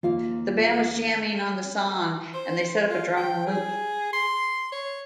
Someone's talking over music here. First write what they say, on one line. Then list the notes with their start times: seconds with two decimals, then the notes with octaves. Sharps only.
The band was jamming on the song, and they set up a drum loop.
0.03 D#2 F3 A#3 F4 F5
2.34 C5
2.90 F4
3.17 G5
3.46 G#4
4.13 C6
4.72 C#5